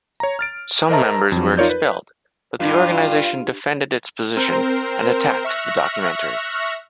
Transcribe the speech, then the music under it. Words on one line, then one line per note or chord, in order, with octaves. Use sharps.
Some members were expelled, but the organisation defended its position and attacked the documentary.
C#5 A#5
F6 A6 D7
A#4 C5 D#5 E5 A5 A#5
F2 F#3
D#4 F4 A#4 C#5 D5 G6
B4
G2 F4
C4 A#4 C5
E5 C#6 F6 F#6 A#6